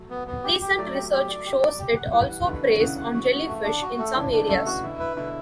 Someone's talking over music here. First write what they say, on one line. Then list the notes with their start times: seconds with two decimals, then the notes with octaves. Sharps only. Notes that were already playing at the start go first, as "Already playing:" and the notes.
Recent research shows it also preys on jellyfish in some areas.
Already playing: F#3 A3
0.10 B3
0.27 B3
0.44 G4
0.61 G4
0.78 F#3 A3 D5
0.94 G4
1.12 G4
1.29 D5
1.46 G4
1.62 D5
1.79 G4
1.96 F#5
2.13 E3 G3 F#5
2.29 F#5
2.46 B2 D3 B4
2.61 C#3 F#4
2.71 D3
2.80 C#3 E3 F#5
2.98 F#5
3.14 F#4
3.31 F#4
3.47 A3
3.64 D4
3.82 F#4
3.98 A3
4.15 C#3 E3 D4
4.32 B2 D3 D4
4.48 A2 C#3 A3
4.65 B2 F#4
4.83 B2 D3 E4
5.00 B4
5.16 B2 D3 E4